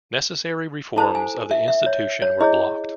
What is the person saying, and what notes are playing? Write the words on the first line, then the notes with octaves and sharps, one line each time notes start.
Necessary reforms of the institution were blocked.
E4 A4 C5 A5
G#5
E5
E5
C#5
C#5
E4 G#4 C#5 D#5